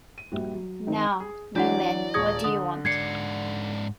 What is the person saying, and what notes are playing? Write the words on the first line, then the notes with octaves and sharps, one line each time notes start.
Now, you men, what do you want?
D#7
A#1 G3 F#4
F#3
D#3 C4 D#4
G#4
E3 F#3 D4 F#4 D5 F#5
D#1 G#4 C#6 D#6 G#6 A#6
D3 D#6
G#2 D5 G#6 C7 C#7